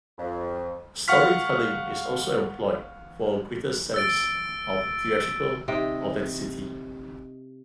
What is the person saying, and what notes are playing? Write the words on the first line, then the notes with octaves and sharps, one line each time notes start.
Storytelling is also employed for a greater sense of theatrical authenticity.
F2
F5 F#5 C#6 F6 B6
E6 A6 D7
C3 D#4 G5